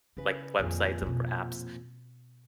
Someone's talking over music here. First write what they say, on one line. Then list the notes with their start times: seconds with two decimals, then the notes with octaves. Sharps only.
like, websites and br apps.
0.17 C#3 E4 B4
0.59 F2 A#2 D3 D#3 G#4
1.02 B2 C4